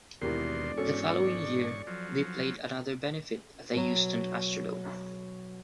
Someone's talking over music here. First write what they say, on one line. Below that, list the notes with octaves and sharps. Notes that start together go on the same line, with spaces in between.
The following year, they played another benefit at the Houston Astrodome.
E1 D#2 B2 E4 G4 A#4 D5 C6
G#2 C#4 F#4 A4 C#6
F3 F#3
B2 F#3